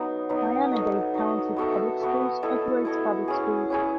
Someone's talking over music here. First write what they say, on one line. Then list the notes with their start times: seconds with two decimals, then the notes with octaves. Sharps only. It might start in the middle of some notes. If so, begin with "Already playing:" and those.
Miami-Dade County Public Schools operates public schools.
Already playing: F#3 B3 D#4
0.29 F#3 B3 D#4
0.71 D#4 F#4 A4 D#5
1.14 D#4 F#4 A4 D#5
1.56 B3 F#4 A4 E5
2.00 B3 F#4 A4 E5
2.42 E4 A4 D#5
2.85 E4 A4 D#5
3.28 C#4 E4 G#4
3.70 C#4 E4 G#4